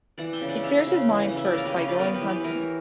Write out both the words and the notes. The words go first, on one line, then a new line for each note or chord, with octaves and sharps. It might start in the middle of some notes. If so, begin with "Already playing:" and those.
He clears his mind first by going hunting.
E3 D5 F#5
E5 G5
C#3
D5 F#5
A#3 C#5 E5
C#3
E3
C#3 F#5
E5
D5
A#3 A#4 C#5
G4 B4
C#3 A#4 C#5
B4 D5
B3 A#4 C#5
G4 B4
E3
G4 B4
E3 A#4 B4 C#5